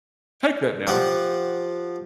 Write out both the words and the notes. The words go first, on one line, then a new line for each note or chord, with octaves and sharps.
take that down.
F3 G4 F#5